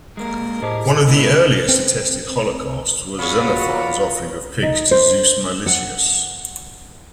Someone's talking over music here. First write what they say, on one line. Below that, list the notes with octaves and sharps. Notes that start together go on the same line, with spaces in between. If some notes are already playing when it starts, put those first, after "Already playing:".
One of the earliest attested holocausts was Xenophon's offering of pigs to Zeus Meilichius.
G#3 A#3 A#4
A2 G4 G#4 C5 D#5 A5
A#2 G#3 A#3 B3 E4
C4
C#4 F4 F#4 G#4 C#5 D5 B5
D#4
C5
F#5